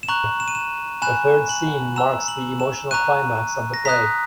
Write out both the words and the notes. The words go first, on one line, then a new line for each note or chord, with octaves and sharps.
The third scene marks the emotional climax of the play.
E7
A#5 C#6 F#6 F#7
E7
D#7
E7
G#5 B5 F#6 E7
F#7
A#5 E6 E7
F#7
E7
A#5 C#6 F#6 D#7
A#6
A#5 D#6 F#6 B6